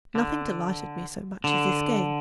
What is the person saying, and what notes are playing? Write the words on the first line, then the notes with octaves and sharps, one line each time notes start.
Nothing delighted me so much as this game.
D3
D3